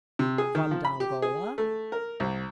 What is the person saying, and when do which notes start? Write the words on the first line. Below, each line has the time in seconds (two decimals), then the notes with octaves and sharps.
"From Dongola?"
0.19 C3
0.38 G#4
0.55 D#3
0.71 F3
0.85 B5
1.00 G4
1.22 G#4
1.58 A3
1.92 A#4
2.20 C2